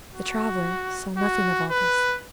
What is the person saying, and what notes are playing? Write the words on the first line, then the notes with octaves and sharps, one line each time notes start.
The traveller saw nothing of all this.
F#4
F#4
B4